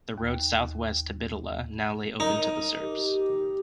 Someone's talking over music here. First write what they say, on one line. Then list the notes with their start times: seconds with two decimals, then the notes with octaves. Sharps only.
The road southwest to Bitola now lay open to the Serbs.
0.18 D#2
2.20 D#4 A#4
2.81 G4